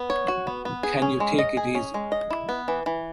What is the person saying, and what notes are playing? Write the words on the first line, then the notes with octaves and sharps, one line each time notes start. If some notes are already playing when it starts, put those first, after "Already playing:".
Can you take it easy?
Already playing: B3
C#5
F#4
B3
B3
G#4
C#4
G#3
D#5
G#4
C#4
G#3
D#5
E4
B3
E3
E3